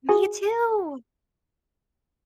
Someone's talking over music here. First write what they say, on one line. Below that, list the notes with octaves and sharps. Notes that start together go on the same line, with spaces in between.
Me too.
F#4 G#4 G#5